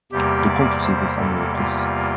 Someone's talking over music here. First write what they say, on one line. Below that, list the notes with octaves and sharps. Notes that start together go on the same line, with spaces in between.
The county seat is Americus.
E2 C3 G3 A#3 G4
D5
C5
A4
F4